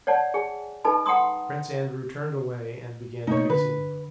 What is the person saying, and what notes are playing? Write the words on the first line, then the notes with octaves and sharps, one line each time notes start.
Prince Andrew turned away and began pacing the room.
C#5 D5 F#5 A5
G#4 G#5
D#4 A4 B4 D#5 A5 B5
F#5 G5 A#5 C6 D#6
B2 A3 A#3 D#4 C#5
D3 B4